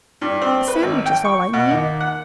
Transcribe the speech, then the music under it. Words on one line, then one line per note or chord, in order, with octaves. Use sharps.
A sandwich is all I need.
G2
C4
B4
G#1
G5
C#6
B2
D#2
F#5